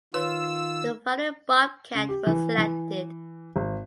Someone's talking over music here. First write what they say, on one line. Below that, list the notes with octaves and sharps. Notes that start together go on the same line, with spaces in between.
The following Bobcat was selected.
D#3 F4 B4 C#5 C6 E6
C#3
G4
E3
E3
G#1